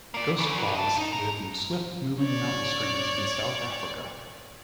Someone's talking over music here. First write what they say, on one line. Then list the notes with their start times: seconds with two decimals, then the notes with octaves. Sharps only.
Ghost frogs live in swift-moving mountain streams in South Africa.
0.14 A#3 D5
0.38 C#2 C#3
0.58 F#3 G3
0.74 D#5 A5
0.96 D#4
1.13 A4 A#5
2.21 C#5 D5